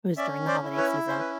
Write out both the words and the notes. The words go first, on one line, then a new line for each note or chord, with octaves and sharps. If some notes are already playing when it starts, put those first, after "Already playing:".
it was during the holiday season,
C#4 D5 E5
C5 D5
E4
B4 C#5
C#4 C5
B4